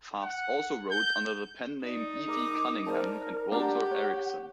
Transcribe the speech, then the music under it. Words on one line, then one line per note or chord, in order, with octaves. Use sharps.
Fast also wrote under the pen names E. V. Cunningham and Walter Ericson.
F#5
G6
D#4 D5
A#4 D6
A#4 C5 D5 A5
D4 G4 D5 F#5 A#5
C#5